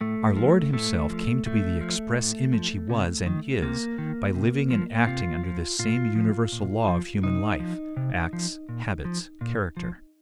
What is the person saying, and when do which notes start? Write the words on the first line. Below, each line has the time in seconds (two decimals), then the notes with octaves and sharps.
Our Lord Himself came to be the express image He was and is by living and acting under this same universal law of human life--acts, habits, character.
0.01 A2 A3
0.37 F3
0.73 A2 A3
1.10 F3
1.46 A2 A3
1.81 F3
2.18 A2
2.53 F3
2.90 C3
3.26 D#3
3.63 C3 A#3
3.98 D#3
4.34 C3
4.70 F3
5.07 C3 F4
5.43 F3
5.79 A#2 F4
6.15 F3
6.52 A#2
6.88 F3
7.23 C3 D#4
7.60 F3
7.97 C3
8.33 F3
8.69 A#2
9.05 F3
9.41 A#2
9.77 F3